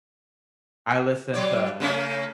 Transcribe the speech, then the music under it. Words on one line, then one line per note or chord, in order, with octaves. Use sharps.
I listen to
F#3 C#5 D5
C#3 A3 C#4